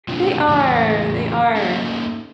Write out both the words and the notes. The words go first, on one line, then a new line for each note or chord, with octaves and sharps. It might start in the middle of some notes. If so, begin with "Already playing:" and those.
They are, they are.
A2 C3 E3 C4 D4 F4
A2 C#3 E3
A#3 C#4 D#4 A4 E5